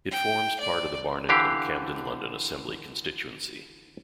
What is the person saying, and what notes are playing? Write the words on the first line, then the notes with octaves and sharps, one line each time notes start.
It forms part of the Barnet and Camden London Assembly constituency.
G5
D5
D3 E3 G4 F5